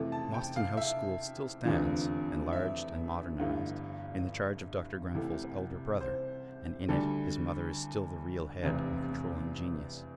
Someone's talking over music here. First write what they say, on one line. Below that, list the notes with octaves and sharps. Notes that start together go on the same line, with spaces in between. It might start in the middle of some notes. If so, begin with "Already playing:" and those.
Mostyn House School still stands, enlarged and modernized, in the charge of Dr. Grenfell's elder brother, and in it his mother is still the real head and controlling genius.
Already playing: F2 C3 E3 A3
A5
G5
F5
E5
F1 E2 D3 F3
E5
G1 G2 E3 A3
C2 C3 E3 A3
C5
D2 D3 G3 A4
F1 E2 C3